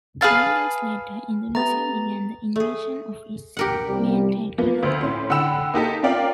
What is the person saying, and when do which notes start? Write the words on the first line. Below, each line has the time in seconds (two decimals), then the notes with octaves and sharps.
Nine days later, Indonesia began the invasion of its main territory.
0.21 G#4 B4 F5 A5
1.55 A3 B3 G4 A#5 A6
2.56 A3 G#4
3.57 G4 A#4 F#5
3.87 C2 F3 G3
4.58 F3 A#3 B3
4.83 D2 C5
5.01 A2 C#4 C6
5.30 D3 F#5 G5 B5 E6 E7
5.74 A#3 D#4 G4 A4
6.03 C#4 F4 A#4 D5 F5 G5